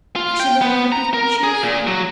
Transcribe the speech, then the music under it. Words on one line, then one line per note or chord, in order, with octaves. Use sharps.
Why should the world be cheerful?
F4
G5
B3
A#5
A#4
G#4
A#2
F#3